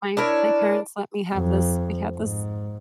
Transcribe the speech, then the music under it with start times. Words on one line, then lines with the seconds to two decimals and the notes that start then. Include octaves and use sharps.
my my parents let me have this we had this
0.17 D4 E4 A#4 C#5
1.34 F2
2.17 G#2